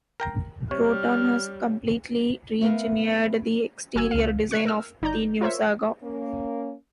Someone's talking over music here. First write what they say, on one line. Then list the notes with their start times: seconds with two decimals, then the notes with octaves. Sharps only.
Proton has completely re-engineered the exterior design of the new Saga.
0.20 A#4 G5 A#5
0.71 C3 G3 C#5 F6
2.61 A3 B3 A#4 E5 F5
3.95 G1 A#3 F#4 G#5 E6 G#6
4.11 C#2 F5
4.51 C#6 F#6 G#6 B6 C7
4.65 A#4 E6 F6
5.02 G1 D#4 D5 A#5 G6
5.41 F4 A#4 C5 C#5 E5
6.03 A#3 C#4